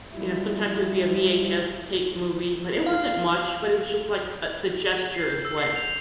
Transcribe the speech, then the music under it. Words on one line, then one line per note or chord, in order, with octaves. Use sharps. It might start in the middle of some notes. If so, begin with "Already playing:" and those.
you know, sometimes it would be a VHS tape movie, but it wasn't much, but it was just, like, uh, the gestures what
F3 G3 E4
F5
C7
G6
E6
C7
F7